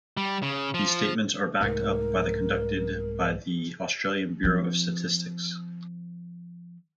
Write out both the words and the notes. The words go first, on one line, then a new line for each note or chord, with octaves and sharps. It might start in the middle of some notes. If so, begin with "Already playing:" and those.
These statements are backed up by the conducted by the Australian Bureau of Statistics.
G3
C#3
F3
C2 G#2 A3 A#4
F3 C4